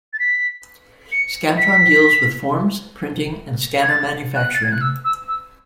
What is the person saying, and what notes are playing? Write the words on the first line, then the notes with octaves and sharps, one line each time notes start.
Scantron deals with forms printing and scanner manufacturing.
A6
B6
C#7
B6
G#6
A6
F#6
A6
G#6
F#6
E6
E6
E6